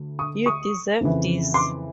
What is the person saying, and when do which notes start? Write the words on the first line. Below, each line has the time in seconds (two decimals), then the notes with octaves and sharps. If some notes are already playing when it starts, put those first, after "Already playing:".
You deserve this.
Already playing: D2
0.19 C#6 D#6
0.46 C#6 D#6
1.00 F2 C#3 E3
1.54 C6 D6